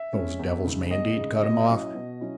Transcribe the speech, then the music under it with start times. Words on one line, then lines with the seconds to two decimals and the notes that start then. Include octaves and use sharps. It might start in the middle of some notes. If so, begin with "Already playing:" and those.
Those devils may indeed cut him off.
Already playing: E5
0.13 G#3 C#4
0.39 E2
0.64 C#3 G#3 D#4
0.91 E2 D#5
1.17 C#3 G#3 D#4
1.43 B2 D#5
1.69 F#3 C#4 E4
1.95 B2
2.21 F#3 C#4 E4